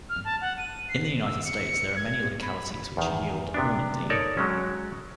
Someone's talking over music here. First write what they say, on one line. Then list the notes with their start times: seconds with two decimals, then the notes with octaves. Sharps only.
In the United States there are many localities which yield almandine.
0.09 F6
0.25 A5
0.41 F#5
0.58 D#7
0.89 C7
1.24 E6
1.45 C#7
1.97 G#6
2.42 B5
2.97 E2 D#3
3.54 C3 B3 D4
4.10 D#4 A4 A#4 C#5 D5
4.37 F#3 G#3 C#4